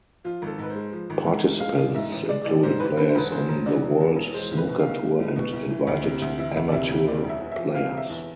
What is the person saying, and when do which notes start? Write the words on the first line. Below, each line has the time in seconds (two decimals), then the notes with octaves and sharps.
Participants included players on the World Snooker Tour and invited amateur players.
0.25 F3 F4
0.42 G#1 A4
0.58 G#2 B4
0.70 C5
0.75 G#3
0.93 F3
1.10 G#1
1.26 G#2
1.44 G#3
1.60 G#3 F5
1.77 A1
1.95 G#2 E5
2.12 A1
2.28 G#3 D5
2.46 A1 D5
2.63 G#2 C5
2.80 A1 B4
2.97 D3 B4
3.08 C5
3.15 E1 B4
3.31 E2 C5
3.48 E1
3.66 D3 D5
3.82 E1
4.00 E2
4.16 E1
4.34 G#3 C5
4.51 C2
4.57 B4
4.68 B2
4.80 F5
4.85 C2
5.02 G#3
5.19 C2
5.36 B2
5.53 C2
5.70 E3
5.87 D2
6.04 C3
6.22 D2
6.38 E3 E5
6.56 D2
6.68 D5
6.72 C3 E5
6.90 D2
7.07 C3 D5
7.24 E1
7.29 E5
7.40 E2
7.52 E5
7.58 F3
7.74 C3 F5
7.92 E1
7.97 E5
8.10 E2